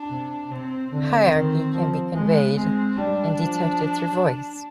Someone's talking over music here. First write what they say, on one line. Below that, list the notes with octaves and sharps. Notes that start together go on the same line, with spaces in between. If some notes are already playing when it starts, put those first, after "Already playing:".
Hierarchy can be conveyed and detected through voice.
Already playing: D4
C3
C3 C4
D3 C4
D#3
F3
G#3 B3
G#3 C4
G3 D4
F3